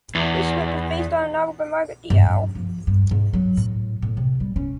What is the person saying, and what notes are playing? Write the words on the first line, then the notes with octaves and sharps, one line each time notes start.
The script is based on a novel by Margaret Diehl.
E2
G2
F#2
F3
G2
G#2
F#3
A2
A2
C3
G3
C#4